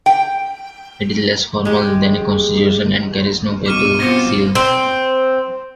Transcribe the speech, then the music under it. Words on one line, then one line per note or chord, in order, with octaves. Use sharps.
It is less formal than a constitution and carries no papal seal.
G5
G#3 G4
G2 B2 C#6 D6 F6 D#7
B3 C4 F4 A#6 C#7
C4